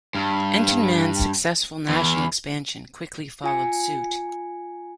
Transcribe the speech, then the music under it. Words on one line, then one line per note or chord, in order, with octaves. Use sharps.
Entenmann's successful national expansion quickly followed suit.
G2
E2
F4 G#5 C#7